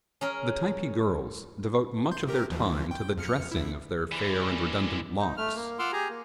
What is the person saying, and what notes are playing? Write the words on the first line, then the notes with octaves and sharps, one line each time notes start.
The Typee girls devote much of their time to the dressing of their fair and redundant locks.
C#4 G#4 A#4
C6 G6
C3 G4 A#4
D#2 E3 F3
G5
F2 F6 C#7
E2 E4
D3 E3
D#4
A3 F6
A#3
F4 F#5 C6 D6 E6 F6
G4 G#4 G#5 A#5
A#3